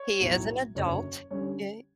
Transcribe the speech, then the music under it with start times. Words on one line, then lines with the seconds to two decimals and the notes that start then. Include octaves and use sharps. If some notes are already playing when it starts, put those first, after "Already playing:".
He is an adult, ye
Already playing: C#5
0.20 B1 A2 F#3
0.75 F#1 F#2 D3 F#3 C#5
1.30 D3 G3 C#4 C#5